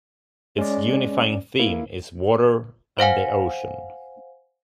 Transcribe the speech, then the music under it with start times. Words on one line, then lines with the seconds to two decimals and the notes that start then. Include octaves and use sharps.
Its unifying theme is water and the ocean.
0.58 G#3 C#4 D5
1.59 A#3 E4
2.99 C5 F5 F#5 G#5